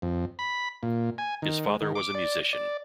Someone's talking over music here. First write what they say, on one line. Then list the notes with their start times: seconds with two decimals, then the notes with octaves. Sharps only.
His father was a musician.
0.02 F2
0.39 B5
0.83 A#2
1.18 G#5
1.42 D#3
1.67 G#3
1.82 D#3
1.95 D6
2.15 D5
2.53 D5